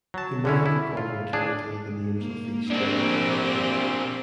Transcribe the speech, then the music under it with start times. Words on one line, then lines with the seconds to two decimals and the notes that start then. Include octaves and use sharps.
He may have recalled mechanically the names of these stretches of water.
0.14 F#3 A5
0.45 D3 C#4 E4
0.66 E4
0.97 F4
1.33 D4 G#4
2.18 A#3
2.70 A#3 C4 D4 G4